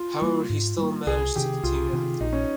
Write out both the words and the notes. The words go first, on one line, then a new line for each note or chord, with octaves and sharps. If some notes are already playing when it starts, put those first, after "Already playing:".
However, he still managed to continue acting.
Already playing: F4
G3 A#3
G#2
G3 A#3
C2 G#4
C3 D#3 G4
C2 F4
C3 D#3
A#1 D#4
C#4